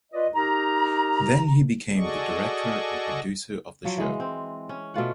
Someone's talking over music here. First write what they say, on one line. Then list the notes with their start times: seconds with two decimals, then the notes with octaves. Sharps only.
Then he became the director and producer of the show.
0.13 F4 B4 D5 D#5
0.35 D#4 G4 A#4 A#5
1.96 F#4 G#4 A4 D5 D#5 C#6
3.85 F3 F#3
3.98 E3 G#3
4.20 C4
4.69 C#4
4.94 B2 A3 F4 F#5